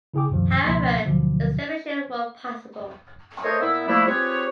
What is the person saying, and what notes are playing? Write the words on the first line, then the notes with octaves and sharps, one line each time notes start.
However, estimations were possible.
C#3 E4 G#4 G5 D6
C#2 F#2 B2 D#3 F3
C#2 B2 F3 A#3 D4 C6
D2 B2 D3 F3 F#3
A3 A#4 C5 C#5 D#5
A#2 B3 E4 E5 E6
F3 G3 A3 A#3 D4 E4
C4 F4 G4 G#4 B4 C#5